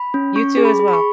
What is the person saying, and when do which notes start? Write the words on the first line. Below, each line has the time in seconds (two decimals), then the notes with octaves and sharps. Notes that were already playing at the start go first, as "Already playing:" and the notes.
You too as well.
Already playing: B5
0.14 C#4
0.36 C#4 C#6
0.57 G#4
0.65 B5
0.80 G#4
0.88 B5
0.93 C#6